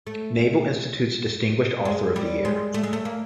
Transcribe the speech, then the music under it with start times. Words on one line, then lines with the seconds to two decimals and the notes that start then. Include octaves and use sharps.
Naval Institute's Distinguished Author of the Year.
0.07 A3
1.85 G#3
2.16 G3
2.45 G#3
2.74 A3
2.83 G#3
2.93 A3
3.05 A#3